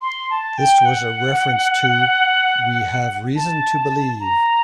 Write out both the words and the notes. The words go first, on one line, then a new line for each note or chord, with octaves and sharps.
This was a reference to "We Have Reason to Believe".
C6
A5
G5
F#5
A5
A#5